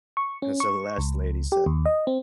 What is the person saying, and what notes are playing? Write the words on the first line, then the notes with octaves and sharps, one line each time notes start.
And so the last lady said
C#6
C#4
C#6
C#2
G4
D#2
D#5
C4